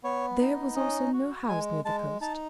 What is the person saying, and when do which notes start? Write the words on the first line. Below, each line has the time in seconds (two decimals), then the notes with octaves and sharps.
There was also no house near the coast.
0.03 B3 C#5
0.40 D#4
0.76 C#4 D#5
1.13 F#4
1.49 G#3 G#5
1.85 G#3 A5
2.21 D#4 A5